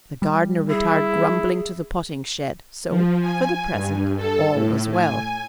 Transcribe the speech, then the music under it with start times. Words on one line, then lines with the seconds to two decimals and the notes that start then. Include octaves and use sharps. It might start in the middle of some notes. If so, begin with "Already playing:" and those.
The gardener retired grumbling to the potting shed, so, for the present, all was well.
0.22 G3
0.70 E4 G#4
2.89 F3
3.20 G#5
3.72 G2
4.17 A4
4.53 A2
4.92 G#5